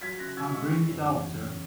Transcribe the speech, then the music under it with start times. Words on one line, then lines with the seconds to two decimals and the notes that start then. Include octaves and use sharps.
I will bring it out, sir.
0.01 F#3 G#6 B6
0.19 C#3 F#6 A#6
0.37 C#3 E6 G#6
0.54 G#3 C#6 E6
0.72 G#3
0.89 F#2
1.06 E2
1.24 C#3
1.42 C#3